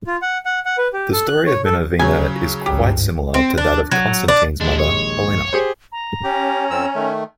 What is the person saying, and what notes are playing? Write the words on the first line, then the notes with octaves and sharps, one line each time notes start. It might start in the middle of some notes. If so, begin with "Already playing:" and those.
The story of Minervina is quite similar to that of Constantine's mother Helena.
F4
F#5
F#5
F#5
B4
G4
A4
F#6
C#5
A4
C#3 F#3 C#5 G#5
G#1 C#2 G2 G4
C4
D4
F#3
D4
A#1 D#2 G#3 D4 E4
C#5
G4 G#4 C5
A#5
C#4 G4
F2 C4 E6
D#3 A3